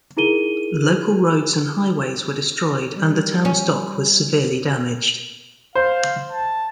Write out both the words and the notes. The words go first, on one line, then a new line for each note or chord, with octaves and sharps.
Local roads and highways were destroyed and the town's dock was severely damaged.
D#4 E4 G#4 A#4 D#7 G7
G3
C#4
C5 F5
A5